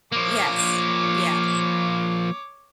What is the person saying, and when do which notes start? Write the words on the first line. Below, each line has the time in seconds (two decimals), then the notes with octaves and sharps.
Yes. Yes.
0.12 F3 A#3 C#5 D6